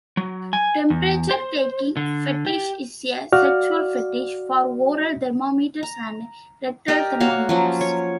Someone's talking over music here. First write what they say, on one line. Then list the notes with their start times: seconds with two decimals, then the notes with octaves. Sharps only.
Temperature taking fetish is a sexual fetish for oral thermometers and rectal thermometers.
0.17 F#3
0.53 G#5
0.90 E2
1.31 C5
1.97 D3
2.46 G4
3.33 F#4 D5 F5 F6
5.83 A#5
6.88 G4 A#4 D5 D#5
7.20 A#3 F#4 C#5 F5
7.49 F3 F#3 C#4
7.81 C#5